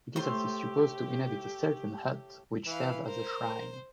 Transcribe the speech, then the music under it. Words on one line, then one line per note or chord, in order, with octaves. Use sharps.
It is also supposed to inhabit a certain hut which serves as a shrine.
A2 A3 G4 C5 C6
E3 B4 F5
A#4 C5